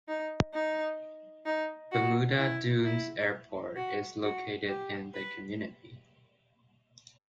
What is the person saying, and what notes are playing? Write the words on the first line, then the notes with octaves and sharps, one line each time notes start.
Bermuda Dunes Airport is located in the community.
D#4
D#4
D#4
F#4
E4
E4
F#4
F#4
G4
B4